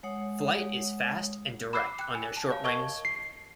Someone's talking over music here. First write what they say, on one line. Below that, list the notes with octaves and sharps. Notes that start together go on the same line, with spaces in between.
Flight is fast and direct on their short wings.
G#3 C#5 F#5 D#6
B5 D6 E6 F#6 C7
G5 F#6
G#5
A5
C#5 F5
A#4 D#5 A5 C#6 G#6 G7
C7